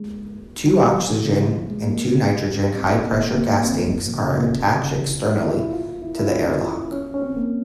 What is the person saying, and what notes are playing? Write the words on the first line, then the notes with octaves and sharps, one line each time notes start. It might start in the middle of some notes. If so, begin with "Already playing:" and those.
Two oxygen and two nitrogen high-pressure gas tanks are attached externally to the airlock.
Already playing: G#3
G3
F3
E3
C#3
E3
F3
G#3
A#3
C4
A#3
A#3
C4
E3
F3
A#2
C3
C#3
A#2
C3
C#3
E3
E4
F4
E4
F4
E4
E4
F4
E4
C#4
E4
F4
C#4
C#4
C4
A#3